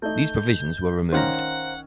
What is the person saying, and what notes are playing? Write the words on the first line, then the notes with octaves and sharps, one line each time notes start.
These provisions were removed.
A3 D#4 G6
D#3 C#4 C5 F5 F#5 A#5